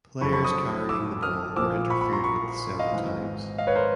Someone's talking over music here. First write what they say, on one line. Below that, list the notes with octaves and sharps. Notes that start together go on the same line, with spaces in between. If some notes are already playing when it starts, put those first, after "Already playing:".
Players carrying the ball were interfered with several times.
F1 F2 D3 F#3 B5 C#6
B5 C#6
C#6 D#6
D6 E6
D#6 F6
A#1 A#2 F3 A#3 D6 E6
B5 C#6
B5 C#6
A#5 C6
B5 C#6
D#5 F5
G#1 G#2 E3
D#5 F5
B4 C#5
A#4 C5